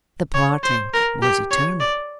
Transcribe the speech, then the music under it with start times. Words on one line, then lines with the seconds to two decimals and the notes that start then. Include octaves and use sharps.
The parting was eternal.
0.34 C#5
0.64 C5
0.94 A#4
1.22 G4
1.51 C#5
1.80 D5